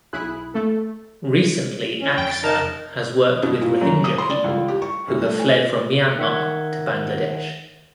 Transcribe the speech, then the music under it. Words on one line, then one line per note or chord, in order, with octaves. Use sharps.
Recently Akhter has worked with Rohingya people who have fled from Myanmar to Bangladesh.
B1 E4 G#4 B5 F#6
A3 A4
C#4
F2 G5
A6
D#4 A#4 A5
B2
A#2
F#2
D#6
C6
D5
C#2
G4
C#6
C2
A3
G#5
D#3 E5 F#5 G#6